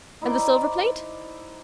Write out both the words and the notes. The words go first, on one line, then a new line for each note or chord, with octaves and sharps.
"And the silver plate?"
D#4 E4 C5 D5